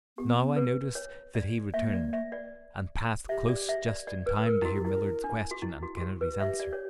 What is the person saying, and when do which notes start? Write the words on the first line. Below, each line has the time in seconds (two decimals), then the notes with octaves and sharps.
Now I noticed that he returned and passed close just in time to hear Millard's question and Kennedy's answer.
0.18 B3 G4
0.56 B4
0.95 C#5
1.35 D5
1.73 A#3 E5
1.93 D5
2.13 E5
2.32 D5
3.29 G4 E5
3.49 D5
3.69 E5
3.88 D5
4.07 D5
4.26 B4
4.46 A#4
4.62 E4
4.65 F#4
4.76 G4
4.85 E4 A#4
5.24 D4
5.51 F#4
5.62 E4
5.83 F#4
5.97 F#4
6.01 G4
6.21 B4
6.41 G4 E5
6.60 D5
6.73 C#5